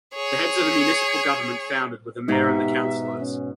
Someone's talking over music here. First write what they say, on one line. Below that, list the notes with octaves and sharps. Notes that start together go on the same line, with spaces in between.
The heads of the municipal government founded were the mayor and the counselors.
G#4 C#5
G#2 B2 D#4 G4 E5 A#5
C#4